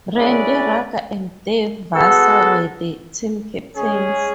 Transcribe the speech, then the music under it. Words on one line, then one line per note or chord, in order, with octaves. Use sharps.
Randy Ruger and Dave Vassar were the team captains.
G#3 C#4 E4 B4 D5
G#3 B3 F#4 A4
G#3 C#4 G#4